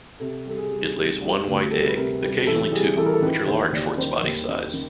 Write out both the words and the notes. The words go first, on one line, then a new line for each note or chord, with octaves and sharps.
It lays one white egg, occasionally two, which are large for its body size.
C3 A4
G3 A4
G#4
G3
G3
G3
D2
G3 A4
B4
C3 A#4
G3 B4
E3 A4
G3 G#4
E3 A4
A#4
A4
D#3 B4
D#2 C5
D#2 D5
D#3 C5
D#2
D#3
D#3